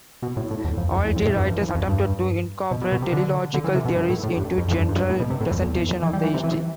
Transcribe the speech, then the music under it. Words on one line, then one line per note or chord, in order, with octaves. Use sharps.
All three writers attempted to incorporate teleological theories into general presentations of the history.
B2
A2
A2
E2
F2
F2
E2
F2
A2
G2
F2
E2
F2
G2
B2
B2
B2
C3
D3
D3
E3
C3
B2
G2
A2
A2
G2
F2
F2
G2
G2
G2
A2
B2
C3
A2
F2
E2
E2
F2
E3
G3
E3
C3
E3